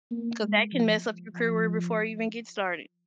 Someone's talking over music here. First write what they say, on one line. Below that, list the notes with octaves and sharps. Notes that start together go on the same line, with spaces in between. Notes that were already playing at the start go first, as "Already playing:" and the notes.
'Cause that can mess up your career before it even get started.
A#3
G#3
F3
F3